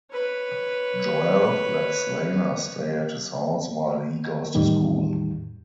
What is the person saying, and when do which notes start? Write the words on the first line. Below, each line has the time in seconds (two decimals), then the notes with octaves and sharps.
Joel lets Lana stay at his house while he goes to school.
0.12 B4 C#5
4.55 E2 A2 D#3 G3